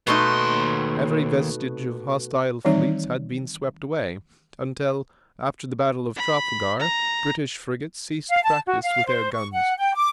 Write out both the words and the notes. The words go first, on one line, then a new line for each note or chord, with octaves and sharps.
Every vestige of hostile fleets had been swept away, until, after the battle of Trafalgar, British frigates ceased practice with their guns.
D#2 B2 A3 D#4 C6
D#3 E3 G3 C4 D#4 C#5
B5
A#5
F5
A5
F#4
F5
C5
C#6
F#5
G5
D6